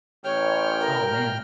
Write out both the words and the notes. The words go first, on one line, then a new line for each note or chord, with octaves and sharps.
Oh, man.
A1 C#5 G5 F6
A#4